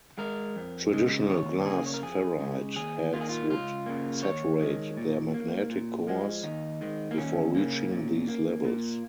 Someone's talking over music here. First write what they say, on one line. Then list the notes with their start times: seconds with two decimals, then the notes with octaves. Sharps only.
Traditional glass ferrite heads would saturate their magnetic cores before reaching these levels.
0.18 G#3 A#4
0.56 F2
0.93 C#3 G#3
1.29 D#2 C#5
1.65 C#3 A#3 G#4
1.86 C#5
1.94 A#4
2.02 F2 G#4
2.40 C#3 G#3
2.76 D#2 G#4
3.13 D#3 A#3 F4
3.21 G#4
3.29 F4
3.50 C#2 F4
3.86 C#3 A#3
4.23 D#2 C#5
4.59 D#3 G#3
4.97 A#2
5.34 A#3
5.70 A#2
6.07 F3 G#3
6.43 D#2 D#4
6.81 D#3 G#3
7.11 A#3
7.17 D#2 C#4
7.55 C#3 A#3
7.92 A#2
8.28 A#3
8.64 A#2 A#3